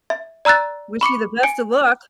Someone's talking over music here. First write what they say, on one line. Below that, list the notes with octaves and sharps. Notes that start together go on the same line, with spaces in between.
wish you the best of luck.
E5
D5 A#5 E6 F#6 A6
B5 C#6 D6 C#7
G#5 D7